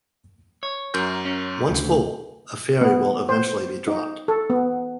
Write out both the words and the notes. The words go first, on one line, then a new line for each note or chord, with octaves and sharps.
Once full, a fairy will eventually be dropped.
C#5
F#2 A#4 G6
C#4
D2 C#3
B3
C5
D#4
A4
B3